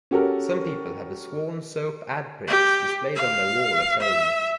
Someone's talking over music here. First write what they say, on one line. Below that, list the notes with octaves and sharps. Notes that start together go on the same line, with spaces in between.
Some people had the Swan soap ad prints displayed on their wall at home.
C#4 F#4 G4 A4 A#4
G4
F5
E5